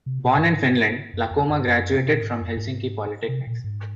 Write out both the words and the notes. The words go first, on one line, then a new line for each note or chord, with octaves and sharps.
Born in Finland, Lakomaa graduated from Helsinki Polytechnics.
C3
A#2
F#2
G#2
F#2
F2
F#2
G#2
F#2
C3
A#2
G#2
F2
F#2
G#2
C3
A#2
G#2